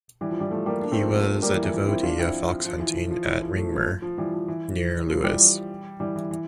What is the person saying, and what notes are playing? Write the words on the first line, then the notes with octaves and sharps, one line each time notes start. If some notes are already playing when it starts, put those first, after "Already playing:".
He was a devotee of fox hunting at Ringmer, near Lewes.
E3 G3
F3
E3 G3
F3 A3
G3 A#3
A#3 D4
A3 C4
F3 A3
G3 A#3
E3
E3
F3
C4 E4
D4 F4
C4 E4
F3
F3
F3
E3
F3
F3
E3
F3
F3 A3
F3
F3
E3 G3
F3
E3
F3
E3 G3
E3 G3
E3
E3